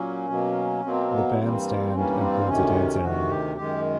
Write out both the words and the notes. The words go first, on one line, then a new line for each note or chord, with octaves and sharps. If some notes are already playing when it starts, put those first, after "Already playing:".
The bandstand includes a dance area.
Already playing: A#2 F#3 A#3 C#4
B2 F#3 A#3
B2 F#3 A#3 C4
B3
G2 E3 G3 A#3 C4
G2 E3 G3 A#3 C#4
C4
D2 C3 D#3 C#4
D2 C3 D#3 F#4
G4
F#2 D#3 G#3 G4